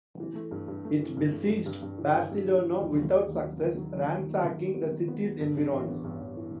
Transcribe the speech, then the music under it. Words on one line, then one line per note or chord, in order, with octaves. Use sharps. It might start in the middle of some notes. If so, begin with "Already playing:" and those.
It besieged Barcelona without success, ransacking the city's environs.
E3
A3
G2
G2
A3
E3
G2
A3
G2
G2
G2
E3
G2
G2
E3
E3
D#2
D#2
D#2
D#2
F#3
D#3
F#3
D#3
D#3
D#3
F#3
D#3
B3
D#3
B3
F#3
G2
G2
A1
B3
G2
A1
E3